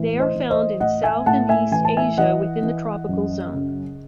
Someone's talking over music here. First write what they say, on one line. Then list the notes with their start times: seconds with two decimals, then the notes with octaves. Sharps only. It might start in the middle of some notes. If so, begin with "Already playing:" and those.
They are found in south and east Asia within the tropical zone.
Already playing: A2 E3
0.20 C5 D#5
0.35 E3
0.50 C5 D#5
0.80 A2 D#5 F#5
1.03 E5 G#5
1.26 A2 F#5 A5
1.49 E5 G#5
1.72 E3 G#5
1.85 A5
1.97 E5 G#5
2.18 E3 D#5 F#5
2.63 E3
3.09 F#2
3.54 C#3